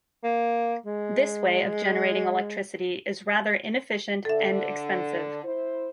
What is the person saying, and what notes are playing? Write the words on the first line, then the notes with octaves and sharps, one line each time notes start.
This way of generating electricity is rather inefficient and expensive.
A#3
G#3
D3 A4 E5
E4 C5